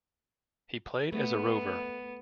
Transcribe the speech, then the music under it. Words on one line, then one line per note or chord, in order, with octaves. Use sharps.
He played as a rover.
A3 B3